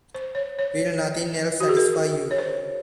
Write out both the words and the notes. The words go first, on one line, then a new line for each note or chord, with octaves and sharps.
Will nothing else satisfy you?
C5
C#5
C#5
F#4
G#4
A#4
C#5
C5